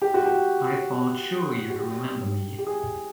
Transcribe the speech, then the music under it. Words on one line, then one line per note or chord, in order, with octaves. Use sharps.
I thought sure you'd remember me.
G4
F#4
G4
F#4
G4
G4
G#4